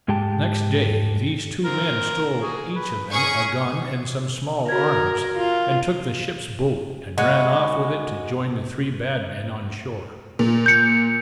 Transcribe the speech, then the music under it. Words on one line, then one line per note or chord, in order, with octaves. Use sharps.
The next day, these two men stole each of them a gun and some small arms, and took the ship's boat, and ran off with it to join the three bad men on shore.
G#2 G#3 G4 G5 A5
C4 F4 A#4
F#4 G#4
B4
C#4 G#4 C#6
F#4 A#4 G#6
F4
G#3 F#4 B4
A#2
G6 C#7